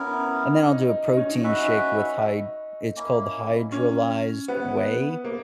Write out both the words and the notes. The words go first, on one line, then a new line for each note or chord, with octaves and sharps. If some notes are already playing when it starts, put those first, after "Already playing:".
and then I'll do a protein shake with hy It's called hydrolyzed whey,
Already playing: B3 C#4 E4 A#4
D#4
D#4
C#4
D#4
C#4 D#4 F#4 B4 E5
A#3 C#4 E4
C#4
B3 E4 B4 F#5
A#3